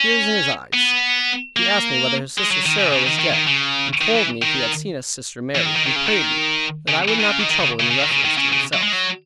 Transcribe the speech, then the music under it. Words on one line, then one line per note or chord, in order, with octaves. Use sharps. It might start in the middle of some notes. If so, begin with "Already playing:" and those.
With tears in his eyes, he asked me whether his sister Sarah was dead; and told me he had seen his sister Mary; and prayed me, that I would not be troubled in reference to himself.
Already playing: C#4
B3
A#3
G#3
F#3
D#3
C#3
C#3
D#3
D#3
D#3
C#3
D#3
E3
D#3
E3
D#3
D#3
D#3
C#3
D#3
C#3
E3
D#3
C#3
D#3
D#3
C#3
C#3
C#3
D#3
C#3
D#3
C#3
C#3
F#3
G#3
F#3